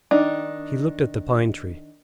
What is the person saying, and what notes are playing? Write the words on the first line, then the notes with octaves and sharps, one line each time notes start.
He looked at the pine-tree.
D#3 D4 D#4